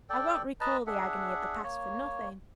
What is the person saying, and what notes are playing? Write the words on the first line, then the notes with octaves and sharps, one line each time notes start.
I won't recall the agony of the past for nothing.
A4 D5 G5
B4 D#5 A5 A#5
D4 G#4 E5 F#5
A#3 C#5